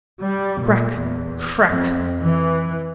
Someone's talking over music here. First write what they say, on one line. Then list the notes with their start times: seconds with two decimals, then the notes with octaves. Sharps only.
Crack! Crack!
0.23 G3
0.63 A#2
0.99 E2
1.68 F2
2.21 E3